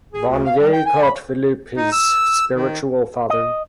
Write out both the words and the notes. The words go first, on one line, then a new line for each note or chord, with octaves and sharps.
Vanier called Philippe his "spiritual father".
G#4
D2
F5
G3
G5
G#5
B5
D#4
E6
D#3
D#5